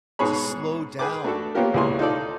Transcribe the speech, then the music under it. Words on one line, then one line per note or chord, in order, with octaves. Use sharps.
to slow down
G#2 B2 G#4 C#5 B5
G#4 B4 G5 D6
A3 D4 F#4 A4
A#3 B3 C#4 F4 G4 A#4
C#2 A#2 E4 G#4 C#5 C6
D#4 F4 A4 D5